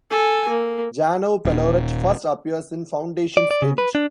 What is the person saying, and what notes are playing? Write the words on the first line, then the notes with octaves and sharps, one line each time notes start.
Janov Pelorat first appears in "Foundation's Edge".
A4 G#5
A#3
D#1
D5
D5
C#3
B4
D4